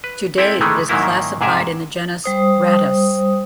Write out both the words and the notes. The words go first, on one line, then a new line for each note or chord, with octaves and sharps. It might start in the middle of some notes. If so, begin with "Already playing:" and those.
Today it is classified in the genus "Rattus".
B4
C4 E4 G4 A4 G5 G#5
D#3 E3 G#3 A3
G#2 D#3 F#3 A#3 E4
G#2 C3 G#4 A#4 E5
G3 C5 D#6